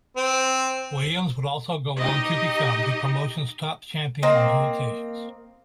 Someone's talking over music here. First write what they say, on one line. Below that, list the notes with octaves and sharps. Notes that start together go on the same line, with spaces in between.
Williams would also go on to become the promotion's top champion on two occasions.
C4
D#4 G4 D#5
A#3 C4 D#5